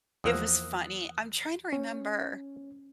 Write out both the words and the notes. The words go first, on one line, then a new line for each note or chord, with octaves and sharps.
It was funny. I'm trying to remember
E2 F3 A#3 D#6 E6 F#6
C#4